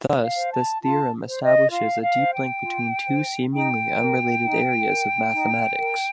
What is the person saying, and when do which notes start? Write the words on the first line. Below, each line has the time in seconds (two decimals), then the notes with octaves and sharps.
Thus, this theorem establishes a deep link between two seemingly unrelated areas of mathematics.
0.21 F5
0.37 C5
0.51 A5
0.82 F4 A5
1.27 C5
1.42 D#5
1.72 F4 F5
2.02 F5
2.17 C5
2.32 G5
2.62 F4
3.07 C5
3.52 D#4 G5
3.98 A#4
4.43 D#4
4.89 A#4
5.34 D#4
5.79 A#4